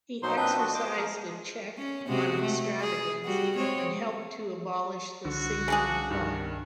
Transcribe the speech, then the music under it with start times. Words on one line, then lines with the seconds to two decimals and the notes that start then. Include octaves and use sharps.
He exercised a check on extravagance, and helped to abolish the sinking fund.
0.23 B2 F#3 D#4 C5 C6
0.37 A#2 C4 D4 B4 D#5 G6
0.58 F3 B3 F#4
0.74 C5 D#5 D6
0.97 F3 A#4
1.78 C#4
2.07 C3 G#3 F#4
2.42 A3
2.81 G#4
3.25 G3 F#4
3.56 G#3 C4 C#5
5.25 C2 D3 F#4
5.68 C#3 D4 G#4
6.10 G2 D#3